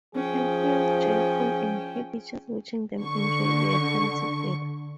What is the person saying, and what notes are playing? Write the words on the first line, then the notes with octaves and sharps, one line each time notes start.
You can feel joyful and happy just watching them enjoy their time together.
F3 C#4 G#4 G5
D3 C#6